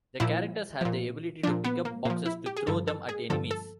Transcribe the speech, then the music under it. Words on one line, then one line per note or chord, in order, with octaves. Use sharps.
The characters have the ability to pick up boxes to throw them at enemies.
A#2 F3 E4
A#2 F3
A#2 F3 D4
B3
A#3
A#2 F3 A#3
E4
G4
G#4
G2 D3 F3 A4
A4
G#4
G2 D3 F3 A4
A4